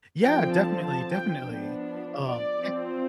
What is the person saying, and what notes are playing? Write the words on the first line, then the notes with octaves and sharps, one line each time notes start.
Yeah, definitely, definitely, um, a
D3 F3 C4 G5
A5
A5
G5
F3 B3 D4
D5
F3 C4